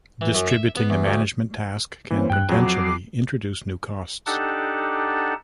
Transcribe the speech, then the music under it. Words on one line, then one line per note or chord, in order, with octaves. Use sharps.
Distributing the management task can potentially introduce new costs.
E3
F#2
E5
B3
E2
D2
E3 A#3 C4 C#4
G2 G5 F#6
F2 F#3 G#4 C#5
D6 C7
D4 D#4 G4 A4 F#5 A5